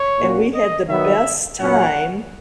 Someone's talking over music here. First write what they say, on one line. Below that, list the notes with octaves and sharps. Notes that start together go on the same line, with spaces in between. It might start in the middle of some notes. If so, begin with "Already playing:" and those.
and we had the best time
Already playing: C#5
A#2 A#3 C#4 F#4
D#5
D#3 F#3 B3 E5
A#2 F#3 C#4 F#5